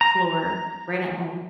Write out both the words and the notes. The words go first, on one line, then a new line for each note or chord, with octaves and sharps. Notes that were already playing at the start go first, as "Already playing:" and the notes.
floor right at home.
A#5